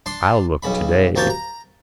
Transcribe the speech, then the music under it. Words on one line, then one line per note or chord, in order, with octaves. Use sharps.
I'll look today.
D4 C6
B1 C#3 B5
D2 A#3 G4 C#5 G5 A5
A#5